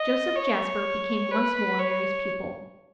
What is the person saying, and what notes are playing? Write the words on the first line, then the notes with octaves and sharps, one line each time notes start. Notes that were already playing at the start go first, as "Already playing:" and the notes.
Joseph Jasper became once more Mary's pupil.
Already playing: D#5
C#5
B4
C#5